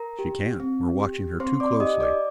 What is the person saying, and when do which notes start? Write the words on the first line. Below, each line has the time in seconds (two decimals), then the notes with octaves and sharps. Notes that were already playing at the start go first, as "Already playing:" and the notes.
"She can't--we're watching her too closely."
Already playing: A#4 A#5
0.19 G4
0.60 C4
0.99 G4
1.40 C4 C5 C6
1.60 D5 D6
1.80 D#4 G4 D#5 D#6
2.01 D5 D6